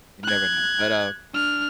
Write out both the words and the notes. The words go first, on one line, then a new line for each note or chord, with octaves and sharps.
You never know. But, um
F#6 G#6
D4 F6